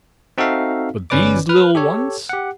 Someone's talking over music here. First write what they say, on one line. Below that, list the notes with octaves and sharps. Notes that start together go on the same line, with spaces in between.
But these little ones!
C4 D#4 F#4 A4 E5 F5
G1 C#4 B4 D5 D6
B4 F6
G4 A4 C#5
G4 F#5